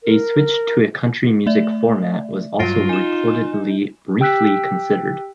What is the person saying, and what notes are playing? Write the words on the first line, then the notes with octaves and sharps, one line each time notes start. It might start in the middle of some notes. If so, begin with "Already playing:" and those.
A switch to a country music format was also reportedly briefly considered.
A#4
A3 D5 E5
G2 F#3 F4 A#6 C7 D7
D#4 G#5 E7
G4 G5 E6 F#6 B6